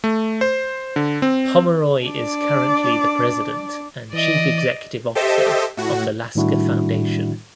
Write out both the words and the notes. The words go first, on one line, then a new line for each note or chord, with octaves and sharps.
Pomeroy is currently the president and chief executive officer of the Lasker Foundation.
A3
C5
D3
C4
D4 D5
E3 D5 D#5
G4 A4 C5 D#5 E5
A2 F#4
A2 D#3 G3 D4 E4 F#4